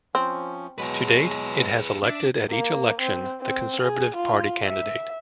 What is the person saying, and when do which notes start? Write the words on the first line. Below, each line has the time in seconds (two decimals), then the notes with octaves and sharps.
To date it has elected at each election the Conservative Party candidate.
0.15 F3 C4 C#4
0.78 B2 F#3 G#3 G#4 B4
2.03 D4 E5
2.50 A#3
3.01 C4
3.41 C4
3.81 G#4
4.16 F4
4.64 E5